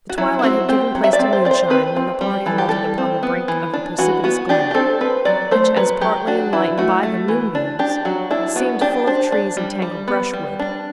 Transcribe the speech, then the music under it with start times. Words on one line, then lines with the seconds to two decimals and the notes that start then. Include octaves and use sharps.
The twilight had given place to moonshine when the party halted upon the brink of a precipitous glen, which, as partly enlightened by the moonbeams, seemed full of trees and tangled brushwood.
0.10 F#4
0.18 F#3 E4
0.39 E4
0.43 C4 F#4
0.69 C4 G4
0.95 F#3
1.04 E5
1.13 D5
1.19 C4
1.33 C5
1.45 C4 D5
1.51 C5
1.70 C4 B4
1.97 C4
2.21 G3
2.46 E3 A4
2.58 G4
2.69 G3 A4
2.98 C4
3.23 B3
3.48 E3
3.73 D4
3.98 E3 F#4
4.24 B3 F#4
4.49 D4 G4
4.71 G4
4.74 C4 A4
5.01 C4 B4
5.25 F#3 D5
5.51 A3 C5
5.76 F#3 B4
6.01 F#3 G4
6.27 D4 F#4
6.53 E3 E4
6.78 A3 F#4
7.03 A3
7.28 E3
7.55 D4
7.79 D4 G4
8.05 F#3 F#4
8.31 D4 E4
8.56 B3 F#4
8.81 D4 G4
9.07 D4 C5
9.32 D4
9.57 G3
9.82 G3
10.08 B3
10.33 G3
10.59 D4